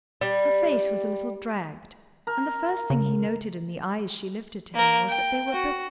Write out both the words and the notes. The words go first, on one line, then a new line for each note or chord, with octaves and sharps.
Her face was a little dragged, and the first thing he noted in the eyes she lifted to him was that they were bewildered.
G3
A#4
C#3
A#3 A#4
G5
F#4